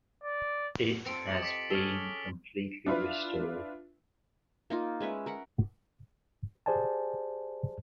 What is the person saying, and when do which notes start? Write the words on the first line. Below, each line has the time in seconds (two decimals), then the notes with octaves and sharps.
It has been completely restored.
0.24 D5
1.06 C4 F4 A4 C#7 D7
1.27 G4 D#5 A6 C#7 F#7
1.43 D6 B6 C#7
1.70 C#4 G#4 A4 F6 G7
1.86 C#7 F7
2.86 D4 E4 F4 B4
4.70 A#3 D#4 F4
5.00 G#3 C#4 B4 E5
5.26 A#4 F#5 B5
6.66 G4 G#4 C5 D5 G#5 A5